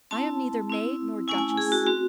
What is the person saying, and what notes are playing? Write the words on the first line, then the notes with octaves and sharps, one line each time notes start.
I am neither maid nor duchess.
C4 E4 A5
C4 E4
A3 C#4 E4 G#5
G#5
G#4
F#4
C4 F#4